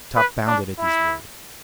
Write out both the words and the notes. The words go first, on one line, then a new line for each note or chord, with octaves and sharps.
Top bounded at these words.
B4
D4
E4